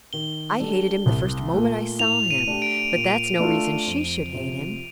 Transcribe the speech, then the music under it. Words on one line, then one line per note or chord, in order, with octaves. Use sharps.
I hated him the first moment I saw him; but that's no reason she should hate him.
D#3 G7
G3 D4 A4
C2
A#2 A3
A2 F7
D#7
A3 D4 G4
D7
A#2
A3 D4 F4 A4
F2
C3 F3